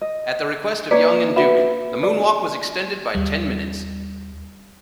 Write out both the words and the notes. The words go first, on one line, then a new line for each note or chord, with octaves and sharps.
At the request of Young and Duke, the moonwalk was extended by ten minutes.
D#5
A#3 B4 C#5 D5
F#4 B4 E5
D5
D#2 G3